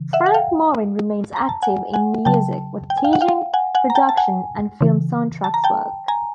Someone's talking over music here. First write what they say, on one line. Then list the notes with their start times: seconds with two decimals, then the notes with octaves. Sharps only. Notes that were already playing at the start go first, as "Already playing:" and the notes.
Frank Morin remains active in music, with teaching, production, and film soundtracks work.
Already playing: C#3 E3
0.13 E5 F#5
0.26 F#5
0.34 F5 G5
1.36 A#5
1.49 A5
1.62 F#5 G#5
1.93 F#5 G#5
2.25 C#3 F#3 G5 A5
2.90 G5
2.98 G#5
3.04 F5 G5
3.13 F#5
3.21 F5 G5
3.54 F#5 G#5
3.75 F#5 G#5
3.90 A#5
3.95 G5 A5
4.09 A5
4.17 F#5 G#5
4.81 C#3 E3
5.44 A5
5.54 A#5
5.64 G5 A5
6.08 G#5 A#5